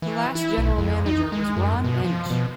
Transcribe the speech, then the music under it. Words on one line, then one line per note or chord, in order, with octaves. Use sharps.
The last General Manager was Ron Entsch.
E3
E4
B1
F2
D#4
G#3
F#2
B2
F3
B2